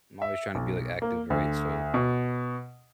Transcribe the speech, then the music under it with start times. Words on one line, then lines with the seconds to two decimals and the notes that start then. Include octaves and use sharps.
I'm always trying to be, like, active, right? So
0.22 E5
0.55 B1
1.02 A#3
1.30 D2
1.94 B2